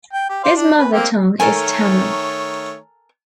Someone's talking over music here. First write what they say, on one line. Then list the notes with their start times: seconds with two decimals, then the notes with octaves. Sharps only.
His mother tongue is Tamil.
0.13 G5
0.29 G4
0.44 C5 D5 F5
0.56 D4
0.78 B4
0.93 A#3 C4 G4
1.40 D#3 A3 A4 A#4 C#5 G#5